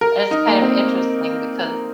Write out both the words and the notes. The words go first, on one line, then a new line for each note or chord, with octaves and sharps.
and it's kind of interesting because
A#4
D#4
A#3
C4